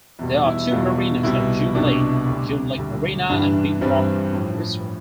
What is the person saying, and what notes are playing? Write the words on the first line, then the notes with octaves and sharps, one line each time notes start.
There are two marinas at June Lake: June Lake Marina and Big Rock Resort.
E2 B2 G3
E4
E2 B2 G3 F4
C2 B2 G3 E4
C2 B2 G3 D4
D2 D3 G3
D2 D3 G3
G2 E3 G3 D4
G2 E3 G3 C4
A2 F3